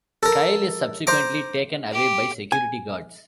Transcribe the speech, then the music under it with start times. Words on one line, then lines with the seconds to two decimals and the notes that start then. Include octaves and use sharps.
Kyle is subsequently taken away by security guards.
0.23 A4 A#4
1.07 C5 A#5 D6
1.92 G4
2.52 G#5